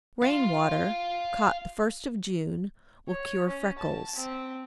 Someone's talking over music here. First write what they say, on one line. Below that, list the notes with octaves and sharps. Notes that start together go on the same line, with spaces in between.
Rain-water caught the first of June will cure freckles.
F5 C6
C#5
C#4
A5
C4